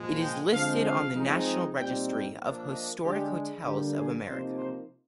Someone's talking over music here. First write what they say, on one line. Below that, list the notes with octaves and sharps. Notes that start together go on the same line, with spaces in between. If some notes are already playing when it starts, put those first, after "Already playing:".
It is listed on the National Registry of the Historic Hotels of America.
Already playing: A#2 F3 G#3
G5
D3 F3 G#3 C4 F5
F5
F3 G#3 C4 D#4
A#2 G3 C4 D#4 G5
G5
F3 A#3 D4
D#5
D3 G#3 D4 G4
D3 G3 A#3 D4 G4
G#4
C3 F3 A#3 D#4 C5
C5